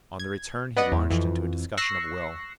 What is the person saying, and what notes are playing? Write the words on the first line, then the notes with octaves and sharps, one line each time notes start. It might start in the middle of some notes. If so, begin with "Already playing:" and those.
On the return he launched into a discussion of will.
G#6
B3 B4 D5 D#5 F#5
E2
F2 E3
C#6 E6 F#6 A#6 C7